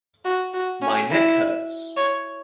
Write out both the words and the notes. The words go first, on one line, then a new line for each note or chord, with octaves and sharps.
My neck hurts.
F#4
F#4
C#4
E4
C#5